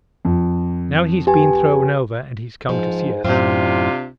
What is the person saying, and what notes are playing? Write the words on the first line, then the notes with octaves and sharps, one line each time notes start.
Now he's been thrown over and he's come to see us.
F2
G4 B4 G#5
G#2 F3
F#2 A2 C3 C4 D4 F4